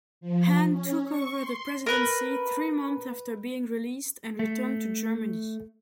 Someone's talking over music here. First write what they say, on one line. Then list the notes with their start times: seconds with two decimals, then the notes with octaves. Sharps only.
Hahn took over the presidency three months after being released and returned to Germany.
0.21 F3
0.70 C#4
1.06 C#6
1.36 C6
1.86 A#4 B4
4.39 A3